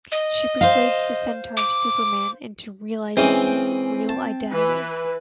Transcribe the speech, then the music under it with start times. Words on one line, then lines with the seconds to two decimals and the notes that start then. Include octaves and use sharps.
She persuades the centaur Superman into realizing his real identity.
0.12 D#5
0.61 C5 F5
1.57 D6
3.17 E3 G#3 C4 C#4
4.09 A5
4.51 E3 B4